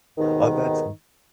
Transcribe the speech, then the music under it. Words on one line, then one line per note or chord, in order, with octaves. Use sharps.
Oh, that's in
D#2 G#2 B2 D#3